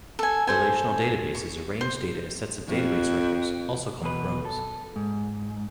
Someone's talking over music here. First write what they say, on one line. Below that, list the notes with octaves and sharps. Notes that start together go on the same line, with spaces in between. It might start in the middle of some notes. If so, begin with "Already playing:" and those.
Relational databases arrange data as sets of database records, also called rows.
A4 G#5
A4 C5 G#5
C#6
C5
F2
E2 B2 B4
A4
G#2